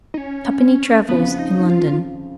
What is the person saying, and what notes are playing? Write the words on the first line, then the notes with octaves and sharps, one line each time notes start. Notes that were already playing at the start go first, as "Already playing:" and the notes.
Tuppenny travels in London.
D#4
C#4
F2 C#3 F3 B3
D#4
F4